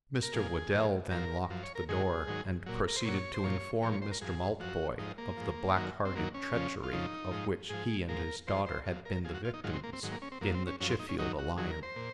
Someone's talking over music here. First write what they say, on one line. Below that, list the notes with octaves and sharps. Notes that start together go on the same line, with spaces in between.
Mr. Whedell then locked the door, and proceeded to inform Mr. Maltboy of the black-hearted treachery of which he and his daughter had been the victims, in the Chiffield alliance.
A#4
A#2 F3 G#4
A#2 F3
F#2 F3 A#4
F#2 F3
C#5
A#4
G#2 D#3 F#3 G#4
G#2 D#3 F#3
A#2 F#3
A#4
C5
A#2 F#3 C#5
C5
A#2 F3 C#5
A#2 F3 C#5
C#5
C5
A#4
F#2 F3 G#4
F#2 F3 F#4
G#2 F3 D#4
A#3
G#2 F3
F#2 D#3 F#3
C4
F#2 D#3 F#3 A#3
C#4
F2 C#3 F3
F4
F2 C#3 F3 D#4
G#2 F3
G#2 F3 G#4
G#2 F3 A#4
G#2 F3 C5
C5
F#2 F3
A#4
F#2 F3 G#4
F#4
F4
D#4
G#2 D#3 F#3 F4
C4
A#3
C4
G#2 D#3 F#3
A#3
C#4
C4
F#2 F3 A#3
C4
C#4
F#2 F3 C#4
C4
D#4
C#4
F#2 D#3 F#3 D#4
F#4
F#2 D#3 F#3 G#4
A#4
C5
A#2